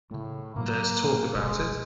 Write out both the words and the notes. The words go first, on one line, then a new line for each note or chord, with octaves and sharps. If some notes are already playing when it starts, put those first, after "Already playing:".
There's talk about it.
A2 C#3 A3
G#2 B2 F#3 A#3
D1 G1 B2 G#3